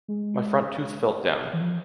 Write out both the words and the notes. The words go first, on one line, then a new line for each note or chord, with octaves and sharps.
My front tooth felt down.
G#3
E3
F3